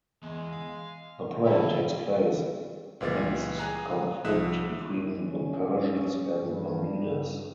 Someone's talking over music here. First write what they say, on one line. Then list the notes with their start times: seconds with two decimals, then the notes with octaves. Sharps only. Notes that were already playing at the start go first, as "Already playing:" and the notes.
The play takes place amidst conflict between the Persians and the Medes.
0.23 E3 G#3 B3
0.53 F5
1.45 E4 G4 A5
3.01 C#2 A#2 E3 F5 A6
3.59 G#4 G#5 A#5 F#6
4.25 C2 F3 E5 D#6 F#6 E7
4.93 D#3
5.23 C#4
6.40 G2